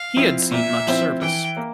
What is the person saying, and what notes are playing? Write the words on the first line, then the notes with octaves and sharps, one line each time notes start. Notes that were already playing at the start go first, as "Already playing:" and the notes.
He had seen much service.
Already playing: F5
F3 C4 E4
A#2 E5
F3 C4 E4
E3 G5
A#3